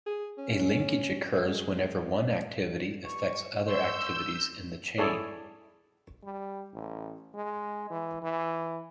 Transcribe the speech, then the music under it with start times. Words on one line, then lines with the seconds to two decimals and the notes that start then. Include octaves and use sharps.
A linkage occurs whenever one activity affects other activities in the chain.
0.06 G#4
0.38 C#4
1.35 C4
1.48 G#3
3.05 G2 C#6
3.66 C6 C#6 E6 G6
4.98 E4 G#4 A4 C#5 D5
6.24 G3
6.74 A1
7.34 G#3
7.90 E3
8.22 E3